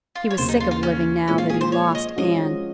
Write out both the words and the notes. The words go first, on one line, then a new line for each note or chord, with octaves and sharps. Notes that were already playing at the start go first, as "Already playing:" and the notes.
He was sick of living now that he'd lost Anne.
F4
C#5
D#2 C#3 F#3 C5
D#4
F4
F4
C#4
A#2 F3 G#3 C#4
F4
G#4
C5
C#5
D#5
F3 G#3 C#4 F#4 D#5